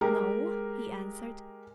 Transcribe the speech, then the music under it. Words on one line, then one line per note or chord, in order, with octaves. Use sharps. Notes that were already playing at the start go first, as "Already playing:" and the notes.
"No," he answered.
G#3 G4 A#4